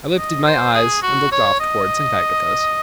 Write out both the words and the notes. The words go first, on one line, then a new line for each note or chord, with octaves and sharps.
I lifted my eyes and looked off toward St. Agatha’s.
D#5
C5
G#4
F#4
C#5
D#5